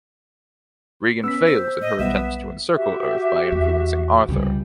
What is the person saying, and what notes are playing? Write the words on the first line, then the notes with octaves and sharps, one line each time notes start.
Rigan fails in her attempts to encircle Earth by influencing Arthur.
B3 C#4 E6 B6
C5
D#5
B1 G3 B3 E5
F#4 G4 E5
E2
C#2 C3 G3 G#5